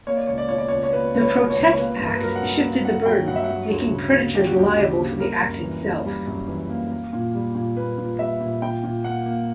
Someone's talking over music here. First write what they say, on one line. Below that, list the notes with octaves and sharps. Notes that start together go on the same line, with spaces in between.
The Protect Act shifted the burden, making predators liable for the act itself.
A#3 C#5
D5
C#2 C#5
D5
B2 C#5
D5
C#2 C#5
C#5
A#3 B4
C#2 B4
C#5
B2
C#5
C#2
C#5
A#3 B4
G2
A#4
B4
F#3 A#4
F#5
G2
A#3
G2 F#5
F#3 G5
G2 F#5
E5
F#3 F#5
D2
C#3
A#3
F#3 G4
F#4
D2 G4
C#3 G4
A#3
G3 A#4
F#2
E3
A#3
G3
F#2
E3
A#3
A#3
A#2
G3
A#2
A#3 B4
A#2
G3 E5
A#2
A#2 G5
A#2
A#3 F#5
A#3